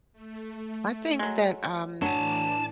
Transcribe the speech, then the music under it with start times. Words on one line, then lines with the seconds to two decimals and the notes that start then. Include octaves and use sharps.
I think that, um,
0.13 A3
1.19 F#3 G#3
2.02 A2 E3 F#3 D4 D5 G#5 A5